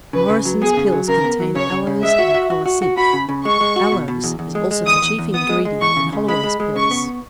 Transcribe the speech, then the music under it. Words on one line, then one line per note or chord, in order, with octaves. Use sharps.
Morrison's pills contain aloes and colocynth; aloes is also the chief ingredient in Holloway's pills.
C#3 B4
C#3
F#3
B3 G#4
C#3
F#3
C#3 A#4
B3
F#3
C#3 C#5
C#3
C#3
G#3 E5
F#4
F#4
F#4
F#4
F#4
F#4 B5
C#3
C#3
G#3 C#6
G#3
F#4
B2
B2
E2
E2
G#3
G#3
E2 D#6
E2
E2
B3 D#6
G#3
G#3
E2 C#6
C#3
C#3
G#3 B5
G#3
G#3
C#3 C#6
B3